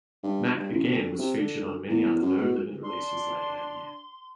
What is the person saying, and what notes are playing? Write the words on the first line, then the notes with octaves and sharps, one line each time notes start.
Mac again was featured on many other No Limit releases that year.
G2
G2
A1
D3
C3
D3
E2
F#2
B2
D4 C6